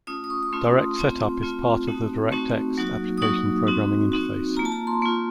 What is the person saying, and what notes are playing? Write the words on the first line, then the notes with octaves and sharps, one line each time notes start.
DirectSetup is part of the DirectX application programming interface.
A3 C#4 F4 D#6
D#6
C#6
C#6
A3 C#4 F4 C6
A3 C4 F4
A3 C4 F4
A3 C4 D#4 F#4
A3 C4 D#4 F#4 C#6
F#3 A#3 D#4 F#4
D#6
F#3 A#3 D#4 F#4 C#6
C4 D#4 F#4
C4 D#4 F#4
A#3 F4 A#5
A5
A#5
C6
A#3 F4 C#6